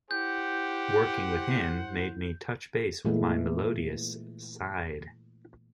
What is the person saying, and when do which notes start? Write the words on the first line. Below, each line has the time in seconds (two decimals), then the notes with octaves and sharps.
Working with him made me touch base with my melodious side.
0.11 E4 G4 C5 F#5 G6
3.05 A#2 E3 G#3 A3